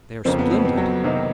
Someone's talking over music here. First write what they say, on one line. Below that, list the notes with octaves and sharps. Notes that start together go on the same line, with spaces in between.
They are splendid.
F2 C#3 F3 A#3 C4 C#4
B3
C4
C4
F#3
C3 D#3 F#3 A#3 D#4